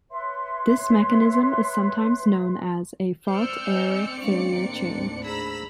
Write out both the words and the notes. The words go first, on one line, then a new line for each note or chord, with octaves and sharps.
This mechanism is sometimes known as a Fault-Error-Failure chain.
B4 C#5 E5 C6
C4 C5 D5 E6 F6 G6 C#7
C5 D#5 G#5
G#3 C#4 D4 F5
D#2 A2 A#3 D4
G#4 C5 A#5 B5 E6